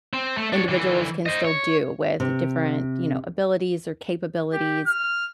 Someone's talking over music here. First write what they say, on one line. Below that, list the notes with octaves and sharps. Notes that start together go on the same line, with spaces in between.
individuals can still do with different, you know, abilities or capabilities,
C4
A3
D4 C#5
D3 E3
C5 D#5
C#5
C3
G4
F6